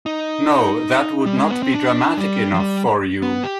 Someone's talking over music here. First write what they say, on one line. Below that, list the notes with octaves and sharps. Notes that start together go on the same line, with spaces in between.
No, that would not be dramatic enough for you.
D#4
G3
G#3
B3
C4
D4
G3
F3
G3
B3
G4